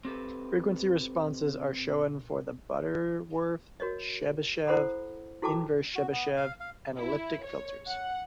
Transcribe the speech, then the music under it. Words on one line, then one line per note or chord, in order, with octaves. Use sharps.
Frequency responses are shown for the Butterworth, Chebyshev, inverse Chebyshev, and elliptic filters.
C4 G4 A4 B4
F#4 A#4 C#5 D#5
E4 A4 C5 F#5 B5 D#6
E4 F#4 A4 G5 A5 D6
F#4
B3
F5
F5
E4
C#5
F#5